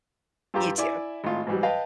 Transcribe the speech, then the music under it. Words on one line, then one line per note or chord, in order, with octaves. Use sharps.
You too.
G2 F4 G4 A#5 E6
E4 D5 E5 G#5 D6
G#1 A2 F4
G#2 E3 F#3 G3
B4 D#5 F5 G5 A5